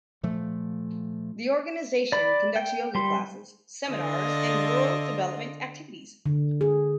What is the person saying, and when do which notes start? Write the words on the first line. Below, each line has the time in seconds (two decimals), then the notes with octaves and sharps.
The organisation conducts Yoga classes, seminars, and rural development activities.
0.23 A#2 F3 A3
2.12 D5 B5
2.56 G5
2.95 G3 C6
3.89 D3 F4 D#5
6.26 D3
6.61 G#4